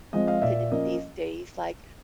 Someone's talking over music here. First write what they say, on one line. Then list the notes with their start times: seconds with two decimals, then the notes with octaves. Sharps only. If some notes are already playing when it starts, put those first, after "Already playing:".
to d these days? Like,
0.13 F3 G#3 C4 D#5
0.27 D#5 F5
0.42 A#2 D5 E5
0.72 F3 A#3 C#4 D#5